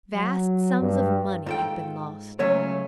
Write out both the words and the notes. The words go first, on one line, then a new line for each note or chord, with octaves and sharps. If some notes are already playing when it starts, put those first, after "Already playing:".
Vast sums of money have been lost.
F#3
G2
G#2 F4 A4 G5
C#2 F#3 A3 C#4 C#5